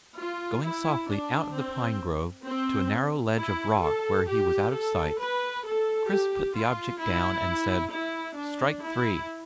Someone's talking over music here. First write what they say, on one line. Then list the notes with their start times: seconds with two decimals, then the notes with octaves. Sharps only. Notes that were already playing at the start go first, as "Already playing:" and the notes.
Going softly out of the pine grove to a narrow ledge of rock where he was out of sight, Chris put the object down and said: "Strike three."
0.17 F4
0.63 E4
1.09 D4
1.54 C4
2.45 C4
3.37 E4
3.81 A4
4.27 G4
4.72 A4
5.18 B4
5.64 A4
6.09 G4
6.54 F4
7.00 E4
7.91 E4
8.36 D4
8.82 E4